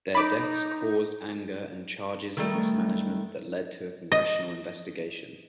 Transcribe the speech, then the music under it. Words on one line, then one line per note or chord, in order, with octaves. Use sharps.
Their deaths caused anger and charges of mismanagement that led to a Congressional investigation.
D#4 B5 D6
D#3 G3 A3
D#5